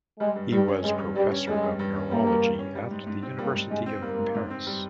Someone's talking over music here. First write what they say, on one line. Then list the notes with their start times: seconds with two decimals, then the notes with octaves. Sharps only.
He was professor of neurology at the University of Paris.
0.20 G3 G#3
0.36 G2
0.52 G2 G3
0.68 C#4
0.84 G3 G#3
1.00 G2
1.16 G2 G3
1.31 C#4
1.47 G3 G#3
1.63 G2
1.79 G2
1.95 C#4
2.11 G3 A#3
2.27 G2
2.43 G2
2.59 C#4
2.75 G3
2.91 G#2
3.07 G#2
3.23 C4
3.38 G3 A#3
3.55 G#2
3.71 G#2 G#3
3.86 C4
4.02 G3 A#3
4.19 G#2
4.35 G#2
4.50 C4
4.67 G3